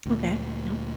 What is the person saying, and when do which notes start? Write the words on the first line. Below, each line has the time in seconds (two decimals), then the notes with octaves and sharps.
Okay, yep.
0.06 D2 A#2